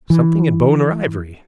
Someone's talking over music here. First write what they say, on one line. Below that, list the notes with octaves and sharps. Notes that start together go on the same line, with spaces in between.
"Something in bone or ivory."
E3